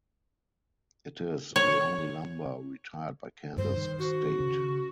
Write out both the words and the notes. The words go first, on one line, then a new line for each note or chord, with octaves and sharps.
It is the only number retired by Kansas State.
C#5
G2 C5
D#3
F#4
C#3